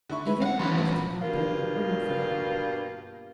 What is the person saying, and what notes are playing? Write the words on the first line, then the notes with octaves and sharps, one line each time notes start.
Even the rough canal boatmen were not forgotten.
D3 E4 C#6
E3 B4 E5
C2 F5 F#5
E3 B3 C#4 F#5 B5 C6
G2
A#2 B5
G2 B2 A#3 F4